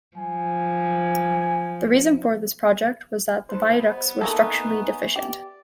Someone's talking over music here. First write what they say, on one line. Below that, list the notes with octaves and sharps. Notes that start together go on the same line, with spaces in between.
The reason for this project was that the viaducts were structurally deficient.
F3 G#5
D#4 A4 B4 C5
G3 B3
A3 A#3 D#4 A4 E5 G#5 C#6 D#6
G4 D5